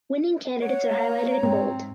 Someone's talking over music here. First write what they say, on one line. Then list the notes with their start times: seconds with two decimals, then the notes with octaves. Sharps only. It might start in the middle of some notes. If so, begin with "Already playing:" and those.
Winning candidates are highlighted in bold.
0.62 C#5 F#5
0.90 A#3 A#5
1.43 G#2 C4